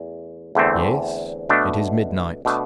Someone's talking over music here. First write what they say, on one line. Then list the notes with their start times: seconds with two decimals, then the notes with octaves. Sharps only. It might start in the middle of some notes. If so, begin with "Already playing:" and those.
"Yes, it is midnight."
Already playing: E2 A3
0.55 E2 D3 A3 C4
1.49 B2 A3 D4
2.45 B2 A3 D4